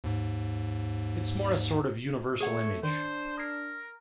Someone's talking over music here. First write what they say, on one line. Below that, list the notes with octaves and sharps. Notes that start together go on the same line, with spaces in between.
It's more a sort of universal image.
D#2 G#2
A3 G#4 C#5 F#5
D#3 D4 C5
A#4 D#6 G#6 C7